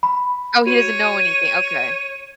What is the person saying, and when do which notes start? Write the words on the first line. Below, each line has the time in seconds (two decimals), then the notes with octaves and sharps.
Oh, he doesn't know anything, okay.
0.03 B5
0.66 F#4 C#5 D#7